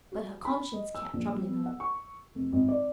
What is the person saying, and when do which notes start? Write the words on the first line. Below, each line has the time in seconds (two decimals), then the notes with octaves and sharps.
But her conscience kept troubling her.
0.12 F#4
0.45 B5
0.73 D#5
0.95 E6
1.13 A#1
1.35 G3
1.47 B3
1.66 F#5
1.80 C#6
2.35 F1
2.52 G#1
2.69 D5